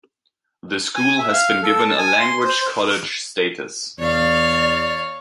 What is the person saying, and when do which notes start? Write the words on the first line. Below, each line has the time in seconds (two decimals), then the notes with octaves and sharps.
The school has been given a Language College status.
0.96 G#5
1.18 E5
1.32 F5
1.63 A4
1.85 A5
1.98 G#5
2.20 C6
2.44 C5
3.98 E2 C#5 D5 F5